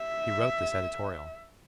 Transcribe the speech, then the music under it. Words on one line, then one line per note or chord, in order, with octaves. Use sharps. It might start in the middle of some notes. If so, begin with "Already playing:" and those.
"He wrote this editorial."
Already playing: E5